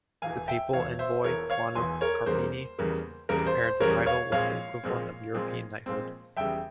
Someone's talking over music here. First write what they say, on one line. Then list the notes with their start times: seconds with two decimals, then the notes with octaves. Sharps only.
The Papal envoy Plano Carpini compared the title with the equivalent of European Knighthood.
0.22 E1 E2 E3 F5 G#5
0.48 E5 G5
0.73 E1 E2 E3 C#5 F5
0.99 C5 E5
1.24 E1 E2 E3 A#4 C#5
1.50 C#5 F5
1.75 E1 E2 E3 G#5 C6
2.01 A#4 C#5
2.26 E2 C#3 G3 A#3 C5
2.79 E2 C#3 G3 A#3
3.29 E2 C#3 G3 A#3 A#4
3.46 C5
3.64 C5
3.80 E2 C#3 G3 A#3 A#4 C#5
4.06 C#5 F5
4.32 A#1 A#2 G#3 C4 C#5 F5
4.83 A#1 A#2 G#3 C4
5.34 A#1 A#2 G#3 C4
5.86 A#1 A#2 G#3 C4
6.37 E1 E2 C#3 G3 E5 G5